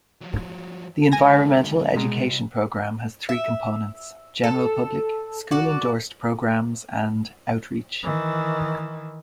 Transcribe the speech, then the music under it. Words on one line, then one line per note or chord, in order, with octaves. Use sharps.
The environmental education program has three components: general public, school-endorsed programs, and outreach.
F3 F#3
D3 G#3 G#5 G#6 A#6
C2 B2 G#3 A#5
E5
A4
F#4 D5
D#3 E3